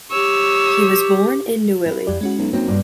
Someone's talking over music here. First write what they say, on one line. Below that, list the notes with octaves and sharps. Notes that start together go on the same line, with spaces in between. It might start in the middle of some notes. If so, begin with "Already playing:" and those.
He was born at Neuilly.
G4 C#5 E6
E4
F2 G4 D5
G#3 C#4 F#4
B1
F#2 A#3 C4 D#4
G2 B2